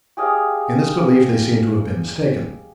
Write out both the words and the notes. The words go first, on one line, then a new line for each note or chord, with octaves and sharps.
In this belief they seem to have been mistaken.
G4 G#4 D#5 F5